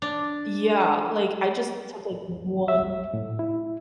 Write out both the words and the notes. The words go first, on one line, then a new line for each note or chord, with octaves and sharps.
yeah. Like, I just took, like, one
D4
E5
A2
E4